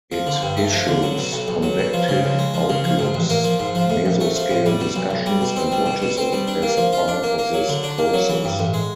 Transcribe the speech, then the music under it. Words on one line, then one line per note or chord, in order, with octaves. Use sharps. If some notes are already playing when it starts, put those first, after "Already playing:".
It issues convective outlooks, mesoscale discussions, and watches as a part of this process.
F3
D3
G2
A3
F3
D3
F#3
B2
B1
B1
F#3
B2
F3
C#3
C#2
G#3
F3
C#3
F3
G#2
A1
A#3
F3
G#2
F3
A2
A#1
A3
F3
A2
G3
B2
B1
B1
G3
B2
C4
G3
B2
B2
C4
G3
D4
A#3
F3
F4
D4
A#3
A#3
F#3
D3
D4
A#3
F#3
E3
G2
A1
G#3